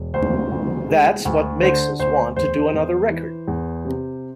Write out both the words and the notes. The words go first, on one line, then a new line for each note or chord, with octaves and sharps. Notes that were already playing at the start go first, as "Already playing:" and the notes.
That's what makes us want to do another record.
Already playing: E1
D2 C5
D2
G#3
D2
D3 C5
D2 C5
E2 C5
E2
E3
E2
C3